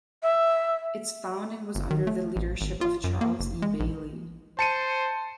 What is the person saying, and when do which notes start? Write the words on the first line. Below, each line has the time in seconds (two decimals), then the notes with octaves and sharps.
Its founding was under the leadership of Charles E. Bailey.
0.23 E5
1.75 G1
1.91 D#3
2.07 A3
2.36 A1
2.61 G#1
2.81 F4
3.04 F#2
3.21 A#3
3.40 F#1
3.62 G#3
3.80 A#1
4.59 C5 A5 C#7 D#7